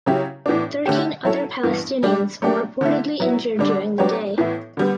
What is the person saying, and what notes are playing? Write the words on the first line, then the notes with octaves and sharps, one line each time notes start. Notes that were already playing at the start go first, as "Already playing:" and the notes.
Thirteen other Palestinians were reportedly injured during the day.
C#3 F#3 C#4 E4 G4
A2 E3 B3 D4
D3 A3 C#4 G4
F#3 C#4 E4 A4 C#5
G2 E3 B3
G3 D4 G4
F#3 A3 D4 G4
D3 A3 E4
F#3 B3 E4
D3 G3 D4
F#3 B3 D4 G4 C#5
A2 E3 B3 E4
D3 G3 B3